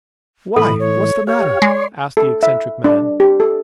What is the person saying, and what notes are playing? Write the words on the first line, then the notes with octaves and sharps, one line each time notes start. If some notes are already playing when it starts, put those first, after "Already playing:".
"Why; what's the matter?" asked the eccentric man.
A2 E3 A4 B5
C#5
G4 C#5 F5
G#3 D5 C6
A4
E5
D4
G4
A4